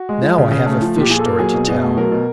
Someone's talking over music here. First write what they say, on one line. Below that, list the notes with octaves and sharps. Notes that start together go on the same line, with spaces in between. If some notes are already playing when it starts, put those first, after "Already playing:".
Now I have a fish story to tell.
Already playing: F#4
G#3
F3
C#3
C#3
A3
F3
A#2 G4
A#2 G#4
A4
A#3
F#3 G#4
B2
B2
A3
F#3 A#4
B2